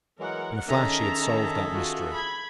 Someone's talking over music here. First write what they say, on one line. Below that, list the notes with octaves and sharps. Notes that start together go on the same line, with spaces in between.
In a flash he had solved that mystery.
E3 F#3 G#3 A#4 F#5
D#3 C#4 G#4 A4 E5 A5 A#5
F4 F#4
B5 G#6